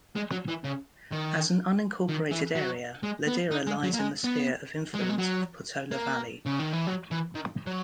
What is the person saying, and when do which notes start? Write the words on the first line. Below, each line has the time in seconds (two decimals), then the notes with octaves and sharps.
As an unincorporated area, Ladera lies in the sphere of influence of Portola Valley.
0.16 G#3
0.32 F#3
0.48 E3
0.64 C#3
1.12 D#3
2.08 D#3
2.31 E3
2.55 F#3
3.03 G#3
3.27 B3
3.52 D#4
3.67 G#3
3.83 F#3
3.94 A#3
3.99 G#3
4.24 B3
4.95 G#3
5.02 F#3
5.10 G#3
5.19 F#3
5.92 A#3
6.46 C#3
6.59 D#3
6.73 E3
6.87 F#3
7.11 E3
7.35 D#3
7.67 F#3